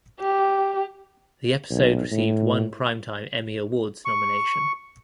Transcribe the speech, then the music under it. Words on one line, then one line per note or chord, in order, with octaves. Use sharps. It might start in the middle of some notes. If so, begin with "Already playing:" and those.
The episode received one Primetime Emmy Awards nomination.
G4
B1
A2
C#6